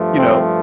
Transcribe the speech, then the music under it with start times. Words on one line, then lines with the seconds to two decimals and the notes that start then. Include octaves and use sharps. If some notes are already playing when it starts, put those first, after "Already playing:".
you know,
Already playing: G2 F3 A3
0.17 C4